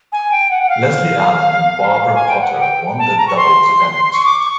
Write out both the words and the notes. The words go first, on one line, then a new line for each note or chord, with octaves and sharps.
Leslie Allen and Barbara Potter won the doubles event.
G#5
G5
F#5
F#5
F5
G#5
G5
F#5
G5
A5
A#5
C#6
C6
C#6
D6
C#6